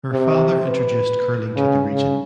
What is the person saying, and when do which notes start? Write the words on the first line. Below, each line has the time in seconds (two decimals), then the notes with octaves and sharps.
Her father introduced curling to the region.
0.12 C3
0.68 B4
1.56 C#3
1.92 C#3